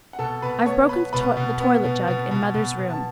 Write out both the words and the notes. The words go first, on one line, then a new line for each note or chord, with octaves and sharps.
'I've broken the toilet-jug in mother's room.'
F#5
B2 A4 A5
B2 B4 B5
B3 C#5 C#6
B3 B4 B5
B2 B4 B5
B2
B3
B2
B2
B2
B2
B2
A5